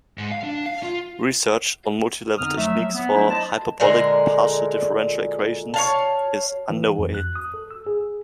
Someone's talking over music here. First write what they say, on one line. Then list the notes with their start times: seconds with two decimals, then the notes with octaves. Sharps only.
Research on multilevel techniques for hyperbolic partial differential equations is underway.
0.18 G#2
0.31 F5
0.44 D4
0.66 F5
0.83 F4
2.38 F2 D3 B3 D#4 D#6 F6
2.58 F3 F#3 A3 E5
2.93 B3
3.13 F#3 G3 A3 D4 E4
3.30 C5 D#5 A5
3.80 A#2 D3 G#3 A#4
5.74 C#5 F5 A5
6.70 E3
6.99 F2
7.14 F#6
7.35 D#6
7.54 A4
7.71 E6
7.87 G#4